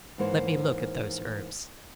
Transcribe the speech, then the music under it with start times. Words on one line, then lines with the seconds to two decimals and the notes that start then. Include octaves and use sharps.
Let me look at those herbs.
0.18 G#2 E3 A#3 C5 C#5